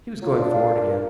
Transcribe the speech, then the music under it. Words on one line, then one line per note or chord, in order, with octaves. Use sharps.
He was going forward again.
F#3 F4
D4
F5
A#4